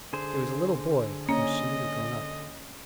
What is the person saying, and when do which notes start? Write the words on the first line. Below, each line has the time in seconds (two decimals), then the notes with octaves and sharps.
He was a little boy, and she was grown up.
0.13 D3 G#4 C5
1.29 A#3 C#4 D#5